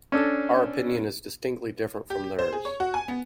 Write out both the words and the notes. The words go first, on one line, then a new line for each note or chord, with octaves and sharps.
Our opinion is distinctly different from theirs.
C#4 D4 A4
G4
C5
G#4
C#5
F#4
G#5
B3